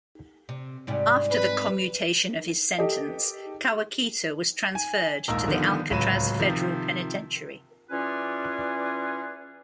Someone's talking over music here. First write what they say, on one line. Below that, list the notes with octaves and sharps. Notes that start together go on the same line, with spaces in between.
After the commutation of his sentence, Kawakita was transferred to the Alcatraz Federal Penitentiary.
C3
G#2 C3 G3
B4
G4 A4 D#5
G#5
A#1 D#2 G#2 A#4 D#5 E6
D3 D#3 F3 G3 B3
D1 C#2 F#3 B5 D#7 E7
C3 D#3 F3
E3 C#4 F4 G#4 B4 D5